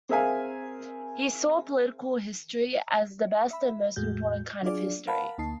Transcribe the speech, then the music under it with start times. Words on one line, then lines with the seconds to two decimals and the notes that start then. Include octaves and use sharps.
He saw political history as the best and most important kind of history.
0.09 C4 G#4 A#4 E5 F5 G#5
3.51 E5 B5
3.96 E2 A2 G#3 F#4 G6
4.62 F#3 D4 F4 G#4 D5
5.07 A#4 F5 F#5 A5 B5
5.38 D2 A#3 D#4 A5 C7